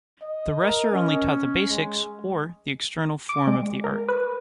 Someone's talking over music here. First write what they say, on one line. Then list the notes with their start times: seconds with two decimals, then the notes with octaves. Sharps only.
The rest are only taught the 'basics' or the external form of the art.
0.22 D#5
0.60 A#4
0.92 C#4
1.69 G#3
3.29 D6
3.47 G#3
3.84 A#4
4.08 B4